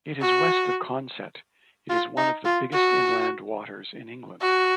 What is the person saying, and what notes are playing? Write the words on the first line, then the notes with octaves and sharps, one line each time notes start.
It is west of Consett.It is one of the biggest inland waters in England.
F#4
F4
D#4
F4
F#4
F#4